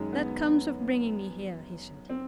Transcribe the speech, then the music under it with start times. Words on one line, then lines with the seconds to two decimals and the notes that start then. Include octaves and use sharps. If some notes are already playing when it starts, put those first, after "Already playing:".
"That comes of bringing me here," he said.
Already playing: F#2 D#3 G#3
0.13 B3
2.09 C4